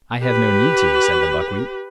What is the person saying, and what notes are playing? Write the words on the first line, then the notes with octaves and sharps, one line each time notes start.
"I have no need to," said the buckwheat.
G4 B4